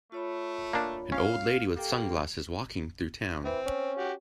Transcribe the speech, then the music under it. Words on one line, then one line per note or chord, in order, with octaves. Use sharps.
An old lady with sunglasses walking through town.
A3 F4 C#5 B5
A#3 D4
C#4 F5
A#3 G4 A4 G5
E3 C4
C#4
F#4 G4